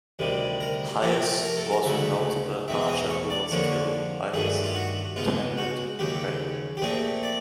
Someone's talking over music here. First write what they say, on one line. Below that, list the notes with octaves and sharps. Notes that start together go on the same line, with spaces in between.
Hyas was a notable archer who was killed by his intended prey.
D2 C3 D#3 G3
A#4
C3 F3 A3 C4 A4
A#4
A4
A#4
D2 C#3 F#3 E5
E2 B2 G#3 C4 E5
E5
D#5
C#5
D5
F2 D3 F3 A#3 C#5
G2 D#3 F#3 A3 G#4
F4
F#4
C#2 B2 G#3 F4
F#4
D#2 C#3 F#3 G4
G4
A#2 F3 A3 C4 G#4
D5